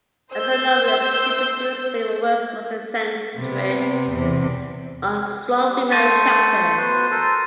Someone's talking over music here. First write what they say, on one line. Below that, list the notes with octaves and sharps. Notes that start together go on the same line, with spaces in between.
As a novelist, she produced several works mostly centred on strong female characters.
C5 E6 G6
C3 B3
E2 C3
G3
A3 C5 C#6 A6 D#7
B3 F#4 C5
A4 A#4 C5